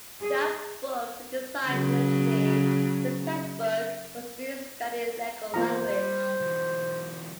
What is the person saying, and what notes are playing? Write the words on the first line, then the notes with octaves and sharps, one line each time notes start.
That book was designed essentially as a textbook for students studying legal language.
G#4
C#3 F#3
E2 A#3 F4 C5 A#5
G3
E3 F#3